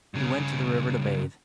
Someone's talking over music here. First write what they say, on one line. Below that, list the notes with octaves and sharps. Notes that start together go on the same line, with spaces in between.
He went to the river to bathe.
G2 C#3